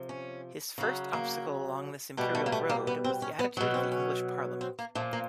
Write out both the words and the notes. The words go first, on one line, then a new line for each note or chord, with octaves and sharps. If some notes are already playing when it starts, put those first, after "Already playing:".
His first obstacle along this imperial road was the attitude of the English Parliament.
Already playing: C3 F3
C#4
C#3 F#3
A#3
B2 G3 A3
A3
A#3
A3
A#3
B3
C4
C#4
B3
B2 F#3
C4
C#4
C4
A#3
A#2 F3 A3
A#3